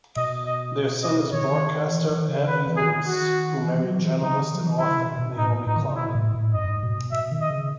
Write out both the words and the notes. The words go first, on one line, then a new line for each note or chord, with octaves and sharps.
Their son is broadcaster Avi Lewis, who married journalist and author Naomi Klein.
B2 D#5
D#5
D#5
D#3 C#5
C#3
D#3
E3
E3
D#3
C#3
D#3 B4
E3
G#4
E3
D#3
F#4
E3
F#3
E3
C#3 D#4
D#3
F#3
E3
D#3 E4
C#3
B2
B2
A2 D#4
A2 D#4
D#3
C#3
B2 E4
A2
A2
F#2 D#5
F#2
G#2
B2
B2 E5
D#3
D#5
C#3